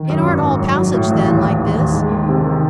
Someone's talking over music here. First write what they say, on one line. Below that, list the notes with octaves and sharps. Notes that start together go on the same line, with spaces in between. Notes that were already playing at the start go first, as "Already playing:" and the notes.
"It aren't all passage, then, like this?"
Already playing: D#3
F#2
G#1
G#1
F#3
F#3
A2
A1
D#2
D#2
D#2
D#2
G#3
D#3
C3
D#3